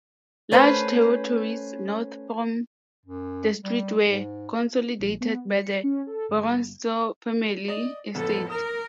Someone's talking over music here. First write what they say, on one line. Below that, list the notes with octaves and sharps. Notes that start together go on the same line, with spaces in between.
Large territories north from the street were consolidated by the Vorontsov family estate.
A3 C#4 B4 C5
F#2
G3
G#2
A#1
B3
G3
C#7
C#4
A4
G1
D5 D#5
A1 F2 B3 A4
A#4 D#6